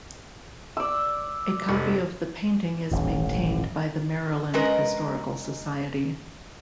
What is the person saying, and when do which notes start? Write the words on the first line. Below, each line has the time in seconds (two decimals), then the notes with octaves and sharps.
A copy of the painting is maintained by the Maryland Historical Society.
0.77 D5 E6
1.69 F1
2.91 D#1 A1 G#2
4.54 G#3 C#4 A#4 B4 D#5